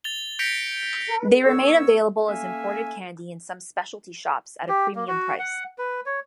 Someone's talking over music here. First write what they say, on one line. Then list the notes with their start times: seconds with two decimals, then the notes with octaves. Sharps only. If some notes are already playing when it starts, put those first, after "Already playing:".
They remain available as imported candy in some specialty shops at a premium price.
0.04 A6 F7 G7
0.39 G6 A#6 B6 C#7 D7 F7
1.42 C2 B3 A#4 C#5 E6
2.27 A3 A#3 C#4 E5 F5 G#5
4.69 G4
4.95 A#3
5.08 F#4
5.39 F#5
5.78 B4
6.06 C#5